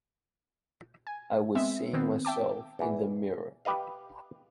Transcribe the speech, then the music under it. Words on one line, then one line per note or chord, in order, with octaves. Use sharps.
I was seeing myself in the mirror.
G#5
G#3 B3 C4 E5
D#3 B3 C4
E5 G5 A5 D6
E2 E3
G4 B4 D#5 F5